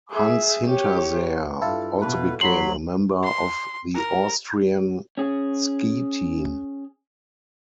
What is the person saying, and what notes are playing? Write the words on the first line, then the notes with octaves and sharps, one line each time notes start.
Hans Hinterseer also became a member of the Austrian ski team.
G#4 E5
G4 C#5
G2 E4 F4 A4
B2 B4
F#1 F#2 F#3 B5 C6 F#7
C6
A#4
C#4 G#4